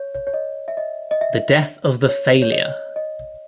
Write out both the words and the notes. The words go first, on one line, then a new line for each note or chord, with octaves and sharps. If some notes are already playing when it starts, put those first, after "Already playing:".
The death of the failure!
Already playing: C#5
C#5
C#5
D#5
E5
D#5
D#5
E5
C#5
C#5
D#5
D#5